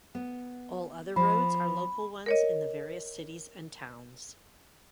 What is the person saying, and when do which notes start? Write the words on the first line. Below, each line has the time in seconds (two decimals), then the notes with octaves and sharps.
All other roads are local ones in the various cities and towns.
0.15 B3
1.16 F3 B5
2.26 A#4 C#5 D#5